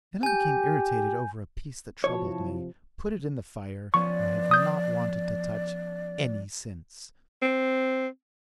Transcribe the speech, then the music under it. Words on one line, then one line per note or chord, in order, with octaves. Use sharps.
Then I became irritated over a piece that troubled me, put it in the fire, and have not wanted to touch any since.
G4 G#5 G6
C3 F3 E4 F#4 C#5 A5
F3 B3 C#4 D5 C#6
D#6 G6
C4